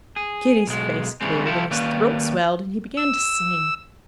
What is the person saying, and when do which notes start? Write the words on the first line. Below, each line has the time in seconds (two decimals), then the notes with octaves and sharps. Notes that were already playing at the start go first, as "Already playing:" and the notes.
Kitty's face cleared, his throat swelled and he began to sing.
0.16 G#4
0.67 B1 G#3
1.21 C#3 E3 G3 G#3 C4
1.45 C2 F3 E4 F4 G4 A4
1.71 D#3 G3 A#3 C#4 B4
2.97 E6